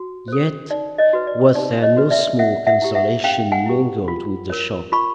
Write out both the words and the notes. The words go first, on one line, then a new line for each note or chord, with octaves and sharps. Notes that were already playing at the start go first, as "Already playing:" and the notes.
Yet was there no small consolation mingled with the shock.
Already playing: F#4
A4 C5
D#4 D5
C#5 D#5
F#4 B4
D5
D#4 D5
C#5 D#5
F#4 B4
D5 E5
C#4 E5 F#5
E5 F#5
E4 G4
E5 F#5
C#4 F5 G5
F#5 G#5
E4 G4
F4
A#4 C#5
F4 B5 C#6